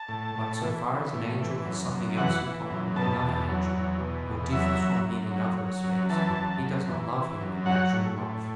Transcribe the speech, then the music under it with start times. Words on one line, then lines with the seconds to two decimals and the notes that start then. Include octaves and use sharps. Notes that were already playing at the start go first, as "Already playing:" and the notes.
But so far as an angel has something else in common with another angel, or differs from him in other respects, he does not love him with natural love.
Already playing: A5
0.09 A2
0.35 A2
0.61 E3
0.87 E3
1.13 A2
1.39 E3
1.65 F#2
1.91 F#2
2.17 E3 F#5
2.44 E3
2.70 F#2
2.96 B2 A5
3.22 E2
3.48 F#3
3.74 E2
4.00 B2
4.27 E2
4.52 F#3 E5
4.79 F#2
5.05 F#2
5.31 F#3
5.57 F#3
5.84 F#2
6.10 E3 A5
6.36 F#2
6.62 F#2
6.88 E3
7.14 E3
7.41 F#2
7.66 F#3 F#5
7.93 A2
8.18 A2